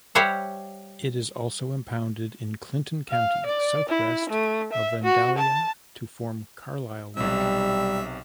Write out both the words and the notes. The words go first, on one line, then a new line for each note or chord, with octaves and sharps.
It is also impounded in Clinton County southwest of Vandalia to form Carlyle Lake.
G3 G4 C5 C#5 E5 F#5
F5
D5
E4
A3
E5
F#4
A5
B1 C3 G3 E5